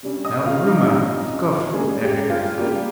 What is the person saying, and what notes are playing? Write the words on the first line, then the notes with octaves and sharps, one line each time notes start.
Now, a woman scoffs at evidence.
C3 G3 C#4
D#5 D#6
F4 F5
D#4 D#5
C3 G3 C#4
C#3 G3 G#3 A#3 G#4
G4
F4
C#3 G3 A#3 G4